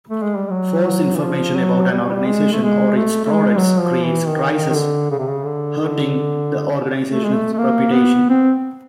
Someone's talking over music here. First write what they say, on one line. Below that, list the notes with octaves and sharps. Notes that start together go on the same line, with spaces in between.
False information about an organization or its products creates crises hurting the organization's reputation.
A3
G#3
G3
F#3
F#3
E3
F3
F#3
G3
G#3
A3
G#3
A3
A3
G#3
F#3
F3
E3
D#3
D#3
D#3
D3
C#3
C3
C#3
D3
D3
A3
G#3
A3
A3
A#3
B3
C4